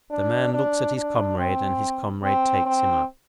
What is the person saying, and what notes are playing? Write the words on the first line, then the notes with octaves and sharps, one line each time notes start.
The man looks at his comrade, and his comrade takes him up.
D4
D4
D4
C4
C4
C4